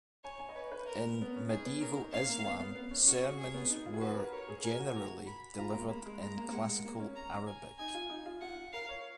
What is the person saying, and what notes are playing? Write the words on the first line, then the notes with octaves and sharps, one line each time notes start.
In medieval Islam, sermons were generally delivered in classical Arabic.
C#5 G#5
G#5
D#5
B4 C#5
B4
A#4
B3
C#4
D#4 G#4
B3
C#4 A#4
D#4
C#4 F5
A#3
B3
B3
B3
C#4
C#4 F#4
C#4
G#4
B3
D#4
F4
G#4
F#4 B4
A#4
A#4 C#5
G#4
A#4 G#5
F#4
A#5
B5
F4 A#5
G#3
A#3
A#3 B5
G#3
G#3 A#5
A#3
A#3
G#3 F#5
G#3
A#3
C#4
A#5
G#5
D#4 G#5
F4
D#4
F4
F4 F#5
A#4 F5
C#5